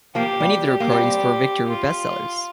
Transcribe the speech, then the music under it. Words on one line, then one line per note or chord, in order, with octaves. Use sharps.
Many of their records for Victor were bestsellers.
F3 A#3 G4
G3
G4
A#3
G3 C4
F4